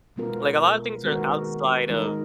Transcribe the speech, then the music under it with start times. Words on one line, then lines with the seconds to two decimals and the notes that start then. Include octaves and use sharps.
Like a lotta things are outside of,
0.16 B2 G#3 B3 F4 A#4
1.03 D#3 G#3 B3 F#4 A#4
1.90 D#3 G#3 D#4 A#4